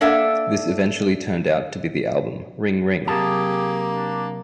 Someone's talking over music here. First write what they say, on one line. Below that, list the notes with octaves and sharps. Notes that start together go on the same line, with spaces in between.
This eventually turned out to be the album "Ring Ring".
A#3 D4 A4 E5 F#5
C3 F#3 A#3 G4 G#4 A5
D4